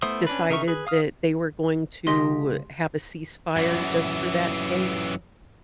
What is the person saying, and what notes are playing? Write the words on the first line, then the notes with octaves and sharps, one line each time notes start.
decided that they were going to have a ceasefire just for that day
A3 B3 E4 C5 D#6
C#4 D4 B4
C#3 D#4 A#4 E5 C#6
G#4 B4
F5 D#6 F6
C#2 G4 D#5 C6
F#2 E3